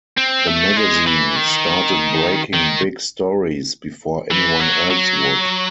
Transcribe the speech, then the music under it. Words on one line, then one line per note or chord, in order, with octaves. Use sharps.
The magazine started breaking big stories before anyone else would.
C4
A3
G#3
E3
D#3
D#3
E3
F#3
F#3